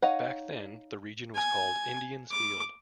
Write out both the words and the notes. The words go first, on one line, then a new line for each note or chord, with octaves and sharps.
Back then, the region was called "Indians' Field".
D#4 C#5 D#5 F5 F#5
G#5
D6